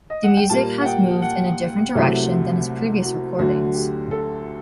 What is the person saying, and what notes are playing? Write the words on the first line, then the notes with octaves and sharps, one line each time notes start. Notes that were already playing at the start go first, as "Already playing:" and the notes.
The music has moved in a different direction than his previous recordings.
D#5
F#5
G5
A#2 G3 A#3 A5
F#5
G5
F#5
C2 C3 F#3 A3 C4
F#4
D2 D3 F#3 F#4
G4
A4